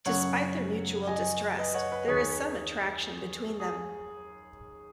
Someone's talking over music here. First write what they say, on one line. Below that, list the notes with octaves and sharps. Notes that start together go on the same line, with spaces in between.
Despite their mutual distrust, there is some attraction between them.
F#2 C#3 C#5 F#5
D#5 G#5
B4 D#5
C#5 F#5
B4
D#2 D#3 G#4 C#5
G#4